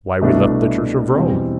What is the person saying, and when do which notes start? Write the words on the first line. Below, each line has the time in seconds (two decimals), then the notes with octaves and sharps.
Why we left the church of Rome.
0.22 C2 B2 A3 D4
1.15 E2 B2 G3 C4